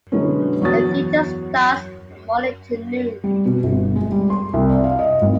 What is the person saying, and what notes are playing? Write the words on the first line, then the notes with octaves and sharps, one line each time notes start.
The theater starts from morning til noon.
B2 D3 F#3 G#3 B3 C#4
E2 F#3 F#4 C#5 D#6 A6
G3
B2
G1
G#3
G3
C6
C2
D5
F5
D#5
G#1